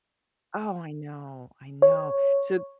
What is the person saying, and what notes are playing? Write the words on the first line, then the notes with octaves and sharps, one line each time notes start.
Oh, I know, I know, so
C#5